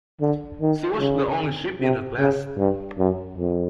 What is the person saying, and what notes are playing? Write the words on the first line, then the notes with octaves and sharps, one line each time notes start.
She was the only ship in her class.
D3
D#3
C#3
C3
C#3
G2
F#2
F2